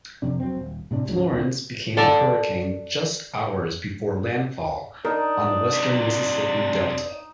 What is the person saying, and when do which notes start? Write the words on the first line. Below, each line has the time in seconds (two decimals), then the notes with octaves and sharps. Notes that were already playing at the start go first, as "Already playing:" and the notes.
Florence became a hurricane just hours before landfall on the western Mississippi Delta.
0.22 F2 C3 D4
0.40 F#3 C4
0.57 D#1
0.91 A2 C3 D4
1.08 D2 G#2 C#3 F#3
1.31 D2 D3 C4
1.97 A4 D5 A5
5.05 D4 D#4 A#4
5.73 C3 F#3